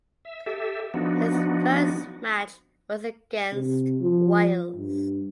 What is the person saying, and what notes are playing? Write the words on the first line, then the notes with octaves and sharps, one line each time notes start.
His first match was against Wales.
E5
G4 A4 E5
F3 B3 D4 D#4 F#4
C3
F3
G2